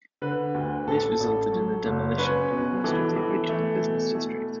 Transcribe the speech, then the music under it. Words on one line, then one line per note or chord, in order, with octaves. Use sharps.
This resulted in the demolition of most of the original business district.
D3 B4
D2
A1 A4
A1
F#3
F#1
C#4 B4
B2
E3 A4
E3
A3
B2
A3